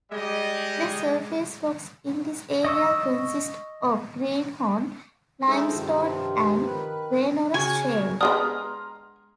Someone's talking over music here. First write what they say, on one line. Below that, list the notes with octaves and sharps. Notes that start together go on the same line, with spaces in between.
The surface rocks in this area consist of Greenhorn limestone and Graneros shale.
G3 G#3 D5 D#5
D#5 C#6 E6
G#3 A3 D#4 E4 A4 C5
G2 C3 D#3 F3
D#3 B4
C#3 F#4 G#5 C#6
G#3 B3 D4 A#5 C6 D#6 F6